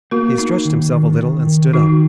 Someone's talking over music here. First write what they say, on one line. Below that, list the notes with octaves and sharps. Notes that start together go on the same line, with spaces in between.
He stretched himself a little and stood up.
A#3 F#4 A#4
A#3 D#4 F#4
D#3
D#3
D#3
D#3
D#3 D#4 F#4